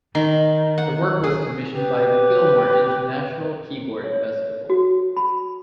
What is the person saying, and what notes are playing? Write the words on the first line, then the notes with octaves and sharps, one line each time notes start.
The work was commissioned by the Gilmore International Keyboard Festival.
D#3
F#5
G#4
G4 B4
C#5
F#4
B5